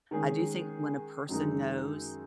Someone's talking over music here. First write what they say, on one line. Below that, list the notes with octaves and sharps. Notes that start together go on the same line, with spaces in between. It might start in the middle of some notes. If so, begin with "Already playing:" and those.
I do think when a person knows
D#3 G#3 C#4 G#4
F#2 D#3 G#3 D#4